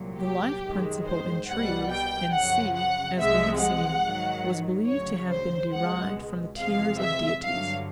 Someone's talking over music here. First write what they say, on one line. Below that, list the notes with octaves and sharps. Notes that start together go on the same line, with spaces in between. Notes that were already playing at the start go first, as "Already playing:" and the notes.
The life principle in trees, &c., as we have seen, was believed to have been derived from the tears of deities.
Already playing: C2 A#2 F#3
G4
F#2 D#3 G#3
C5
C2 B2 G3 F#5
G5
F#2 C#3 F3 F#5
F#5
C2 C3 F3 G#3 E5
F#5
G#2 D#3 F#3
D2 C#3 F#3 C#5
C5
C#2 B2 G#3 F#5
E2 C3 F3 G#3 F5
E5
G2 D3 F#3 F5